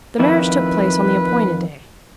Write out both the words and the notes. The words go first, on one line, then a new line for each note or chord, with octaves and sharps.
The marriage took place on the appointed day.
F2 D#3 E4 B4